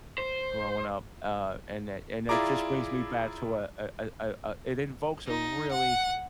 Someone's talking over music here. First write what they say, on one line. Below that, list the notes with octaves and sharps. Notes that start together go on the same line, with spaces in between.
growing up, uh, and that and that just brings me back to a a a a a it invokes a really,
C5
E4 F4 G#4 D5 A#5 D6
D#4
F#5